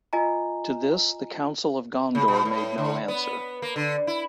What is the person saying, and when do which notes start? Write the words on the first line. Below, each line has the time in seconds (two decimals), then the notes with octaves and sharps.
To this, the Council of Gondor made no answer.
0.13 F4 D#5 G#5 A#5
2.15 C#3
2.28 B2
2.45 A2
2.78 D3
3.08 B3
3.62 A#3
3.76 D3
4.07 E4